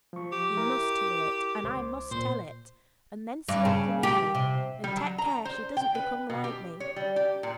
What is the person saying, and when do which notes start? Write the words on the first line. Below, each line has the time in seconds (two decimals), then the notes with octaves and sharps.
You must hear it, and I must tell it; and then see after Mary, and take care she does not become like me.
0.13 F3 C#6
0.32 G4
0.57 E4 A#4
1.64 C#2 C5 D6
2.11 A#2 C5
3.49 G2
3.65 C#3
4.03 G4
4.35 C3
4.84 G3
4.97 F#3
5.18 A#5
5.45 C5
5.77 G5
5.95 B4
6.30 B2
6.44 G4
6.80 C#5
6.96 G3
7.16 G4
7.43 A#2